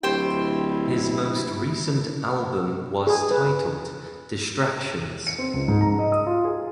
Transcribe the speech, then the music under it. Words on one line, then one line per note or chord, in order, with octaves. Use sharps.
His most recent album was titled "Distractions".
D1 E4 G4 C5 G5
G#4
B4
C#7
C4
C#2
G#2
A#5
D#5
D#6
F4
G#4